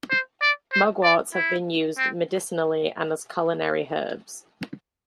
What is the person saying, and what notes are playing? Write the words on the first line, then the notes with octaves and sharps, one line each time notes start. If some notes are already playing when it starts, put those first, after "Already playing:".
Mugworts have been used medicinally and as culinary herbs.
C5
D5
C5
D5
E4
C4